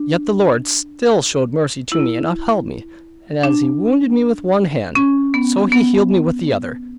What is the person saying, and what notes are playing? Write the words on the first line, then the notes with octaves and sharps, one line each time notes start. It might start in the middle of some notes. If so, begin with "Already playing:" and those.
Yet the Lord still showed mercy to me, and upheld me; and as He wounded me with one hand, so he healed me with the other.
Already playing: D4
E4
D4
C#4
B3
B3